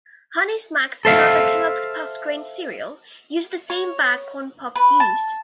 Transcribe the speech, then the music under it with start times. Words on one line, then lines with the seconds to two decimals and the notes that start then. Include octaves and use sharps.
Honey Smacks, another Kellogg's puffed grain cereal, used the same bag Corn Pops used.
1.05 A4 C5 E5 F5
3.70 C#5
4.76 B4
5.00 A5